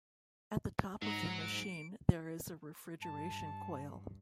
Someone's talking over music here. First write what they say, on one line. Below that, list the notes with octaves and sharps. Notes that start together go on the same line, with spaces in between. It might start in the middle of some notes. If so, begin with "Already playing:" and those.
At the top of the machine there is a refrigeration coil.
G#2 F#3 F#5 A#5
D7
G2 A5